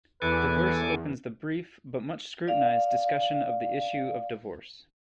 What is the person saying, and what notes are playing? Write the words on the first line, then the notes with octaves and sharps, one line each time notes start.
This verse opens the brief, but much scrutinized, discussion of the issue of divorce.
E2 A4 B4 G#5 D6
D5 F5